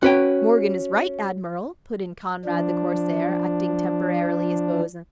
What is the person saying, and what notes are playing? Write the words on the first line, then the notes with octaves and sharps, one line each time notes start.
"Morgan is right, admiral!" put in Conrad the corsair, acting temporarily as bo'sun.
C#4 F#4 B4 G5
F3 D4